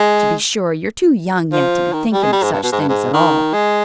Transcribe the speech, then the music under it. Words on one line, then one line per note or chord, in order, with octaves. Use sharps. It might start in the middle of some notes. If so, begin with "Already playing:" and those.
To be sure, you're too young yet to be thinking of such things at all.
Already playing: G#3
F3
D#3
G3
G#3
G3
G#2
G2
B2
G#2
G2
G#2
D#3
G#3